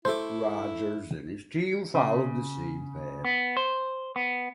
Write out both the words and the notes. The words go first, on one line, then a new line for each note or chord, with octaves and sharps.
Rogers and his team followed the same path.
A3 E4 C5 E5 C6 D6
C#3
B3
C5
B3